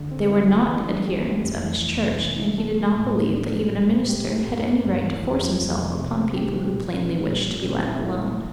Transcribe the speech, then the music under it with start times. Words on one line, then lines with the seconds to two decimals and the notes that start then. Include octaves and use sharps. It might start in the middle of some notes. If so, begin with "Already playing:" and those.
They were not adherents of his church and he did not believe that even a minister had any right to force himself upon people who plainly wished to be let alone.
Already playing: D3
0.12 C4
0.31 E4
0.50 A3
0.68 E3
0.88 D4
1.06 G4
1.25 A3
1.44 F2
1.63 E3
1.82 F2
2.01 C3
2.20 E3
2.39 E4
2.58 A4
2.77 A3
2.96 A2
3.15 A3
3.34 D4
3.53 F3
3.72 A#2
3.91 C4
4.09 G4
4.28 A3
4.47 G2
4.66 A#3
4.85 G2
5.04 E3
5.23 F2
5.42 F3
5.61 F2
5.80 C3
5.99 C3
6.17 C4
6.36 G4
6.55 F3
6.74 A#2
6.93 D4
7.12 A#2
7.31 G3
7.50 A#2
7.69 C4
7.87 E4
8.07 F3
8.26 C2